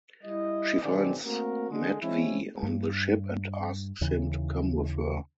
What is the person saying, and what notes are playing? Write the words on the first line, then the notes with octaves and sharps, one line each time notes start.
She finds Matvey on the ship and asks him to come with her.
G3 E4 D#5
G#1 B2 D#3 C4 G#4 D5
A3 A#3 C4 F#4 A#4
D3 G#3
E3 G#3 C4 C#4 E4
G2
D#2 C#3 E3